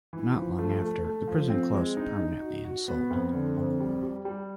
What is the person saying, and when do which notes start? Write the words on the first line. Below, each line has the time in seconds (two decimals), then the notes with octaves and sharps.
Not long after, the prison closed permanently and sold.
0.13 E3
0.35 F3
0.59 A3
0.82 A3
1.04 A3
1.28 F3
1.50 C4
1.74 G#3
1.97 D#4
2.19 D#4
2.42 F#4
2.64 F#4
2.88 B3
3.10 F2
3.33 D3
3.57 F2
3.80 G3
4.03 G3
4.25 G3